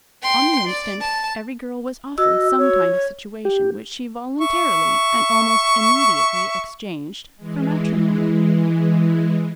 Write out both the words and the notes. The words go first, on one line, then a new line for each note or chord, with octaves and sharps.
On the instant, every girl was offered some kind of situation, which she voluntarily and almost immediately exchanged for matrimony.
G5 C6
D5
A5
F#4 D#5 E6
C#5
G4
E5 C#6
E3 G#3